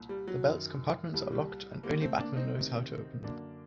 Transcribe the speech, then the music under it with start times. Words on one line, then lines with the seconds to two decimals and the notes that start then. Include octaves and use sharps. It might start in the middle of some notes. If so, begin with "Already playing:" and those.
The belt's compartments are locked and only Batman knows how to open them.
Already playing: C2 A#2
0.09 G3
0.28 F#3
0.44 F#2 D#3
1.14 C2 A#2 G3
1.32 G3
1.83 D#2 D3 G3 A#3
2.01 A3 C4
2.19 A#3 D4
2.36 C4 D#4
2.54 D2 C3 D#3
3.24 F#2 D3 A#3 D4